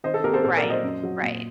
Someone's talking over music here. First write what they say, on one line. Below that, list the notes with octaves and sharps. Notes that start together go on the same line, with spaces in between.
Right. Right.
D#3 C5 D#5
A4
A#3 G4 A#4
A4 C5
A#2 A4 C5
A#4 D5
F#3
C5 D#5
F#2
F#3
A#2